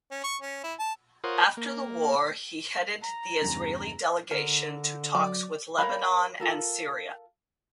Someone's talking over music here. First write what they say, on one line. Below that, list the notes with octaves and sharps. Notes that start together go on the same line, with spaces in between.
After the war, he headed the Israeli delegation to talks with Lebanon and Syria.
C#4
C#6
C#4
E4
A5
F4 A#4 C5 C#5 F#5 D#6
A#3
A#5
E2 G2 C#3
D3 A#4
F#3 D5
A#4 C#5 F5 B5
F4 A4 A#4